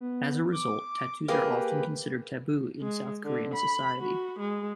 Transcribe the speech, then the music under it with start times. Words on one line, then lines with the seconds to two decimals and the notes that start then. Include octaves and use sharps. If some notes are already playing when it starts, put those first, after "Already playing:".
As a result, tattoos are often considered taboo in South Korean society.
0.01 B3
0.52 D6
1.28 A#3 G4 G#4 B4
2.81 G#3
3.25 D3
3.54 B5
3.99 F#4
4.39 G#3